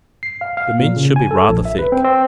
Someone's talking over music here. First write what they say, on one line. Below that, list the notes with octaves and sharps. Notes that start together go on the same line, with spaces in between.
The mince should be rather thick.
C7
F5
F5
A#2
C#3
G#5
A4
A#1
E5
B4
C4
C4